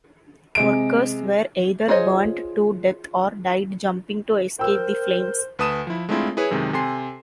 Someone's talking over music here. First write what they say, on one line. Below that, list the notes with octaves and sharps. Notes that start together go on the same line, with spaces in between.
Workers were either burned to death or died jumping to escape the flames.
C3 G#3 D7
F4 G#4 C5 C#5 D#5
A#4 C5 G5 E6
D2 B4 A5 D#6 D#7 E7
F3 E4
G#3 A3 C4 D4 E4 F4
E4 G#4 B4 C#5
F#2 C3 D#3 G#3
C3 A4 G#5 C6 C7